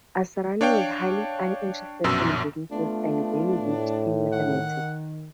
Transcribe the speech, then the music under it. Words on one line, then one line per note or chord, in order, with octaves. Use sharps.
Asrani was highly uninterested in business and very weak in mathematics.
D4 C#5 F5 G5
A#1 F#2 B2 E6
A3 B3 D4 F4
A2
D#3 F#5